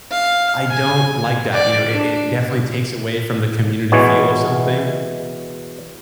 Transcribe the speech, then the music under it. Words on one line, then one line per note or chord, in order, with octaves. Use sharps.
I don't like that. You know, it it definitely takes away from the community feel of something,
F5
G#5
D5
D4
B2 E3 G#3 B3 C#5